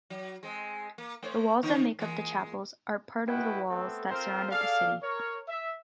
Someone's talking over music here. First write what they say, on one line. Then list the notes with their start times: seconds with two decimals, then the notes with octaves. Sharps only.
The walls that make up the chapels are part of the walls the surrounded the city.
0.10 F#3
0.43 G#3 C4
0.98 A#3
1.23 A3 C5 C#5
1.63 D3 C4
1.99 E3 G#3 A#3
3.28 G#3 E4 F#4 B4 F#5 G5
3.70 A3 B3 C4 A4
4.11 C4 F4 A4 A#4 C5
4.52 G#4 A4 D5 F5
5.03 A#4 C#5
5.49 E5